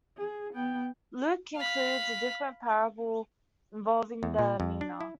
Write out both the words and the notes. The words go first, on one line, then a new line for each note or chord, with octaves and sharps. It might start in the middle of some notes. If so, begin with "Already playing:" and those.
Luke includes a different parable involving the mina.
G#4
B3 G5
F5 B5
E2
A#2
F2
D4
E4